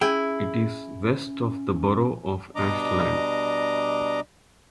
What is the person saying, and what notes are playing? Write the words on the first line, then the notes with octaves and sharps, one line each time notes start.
It is west of the borough of Ashland.
C#4 E4 G#4 G5
B2 G3 D4 D#5 A#5 D6